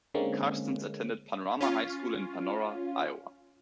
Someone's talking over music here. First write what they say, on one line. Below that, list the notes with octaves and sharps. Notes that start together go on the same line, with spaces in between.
Carstens attended Panorama High School in Panora, Iowa.
D3 G#3 A#3 C4 C#4
C#4 F4